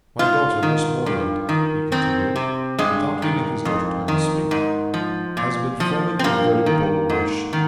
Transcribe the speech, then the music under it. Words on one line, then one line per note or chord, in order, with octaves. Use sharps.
My daughter, Miss Morland," he continued, without leaving his daughter time to speak, "has been forming a very bold wish.
G#2 F4
D#3
G2
D#3
D#3 C4
C3
G2 G#3
D#3
F2
D#3
G#2
F3
A#2
F3
C4
G2 A#3
D#3
G#2
D#3